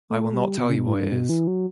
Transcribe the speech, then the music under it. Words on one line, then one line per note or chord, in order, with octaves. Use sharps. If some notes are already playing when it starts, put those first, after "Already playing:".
I will not tell you what it is.
A3
G3
B2
C#3
B2
A2
G2
B2
E3
F#3